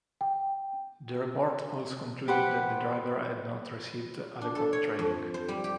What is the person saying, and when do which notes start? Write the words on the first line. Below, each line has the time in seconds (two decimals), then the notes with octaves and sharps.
The report also concluded that the driver had not received adequate training.
0.21 G5
2.28 G4 B4 C5 F#5
4.41 D4
4.55 A4
4.73 C#5
4.99 F2
5.34 C5
5.48 G3
5.64 G4